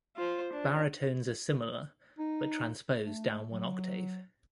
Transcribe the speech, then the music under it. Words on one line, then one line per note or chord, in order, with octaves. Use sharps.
Baritones are similar, but transpose down one octave.
F4 C5
D4
D#4
A3
F#3